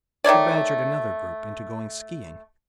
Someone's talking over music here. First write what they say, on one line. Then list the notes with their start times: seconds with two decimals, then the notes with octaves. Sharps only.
She badgered another group into going skiing.
0.24 D#3 A3 C#5 D5